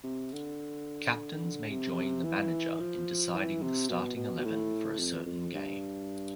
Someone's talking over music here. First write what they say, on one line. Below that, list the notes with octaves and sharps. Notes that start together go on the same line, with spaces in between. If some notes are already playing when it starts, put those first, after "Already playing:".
Captains may join the manager in deciding the starting eleven for a certain game.
C3
D3
C3
E3
F3
E3
C3
B2
B2
B2
A2
F2
F2
G2